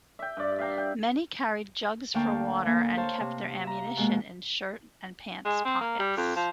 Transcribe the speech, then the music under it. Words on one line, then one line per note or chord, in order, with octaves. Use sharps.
Many carried jugs for water and kept their ammunition in shirt and pants pockets.
E5 G5
G2 D5
E5 F5 G5 A#5
G5
D2 A#3 F5 G5 A5 C#6
A#3
C5 C#5 F5 A5
C3
E5 A#5
B2 G#3 A#3
G#3
C4
A#3
G3
F2
F3